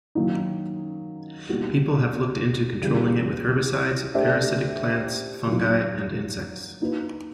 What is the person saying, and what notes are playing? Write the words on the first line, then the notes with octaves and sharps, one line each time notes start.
People have looked into controlling it with herbicides, parasitic plants, fungi and insects.
D#3 F#3 A#3 D#4
B2 G3 A#3 D#4 F#4
C#3 E3 G3
A3 D4 G4 C5 E5
F#3 A#3 D#4
A#3 D#4 F#4 B4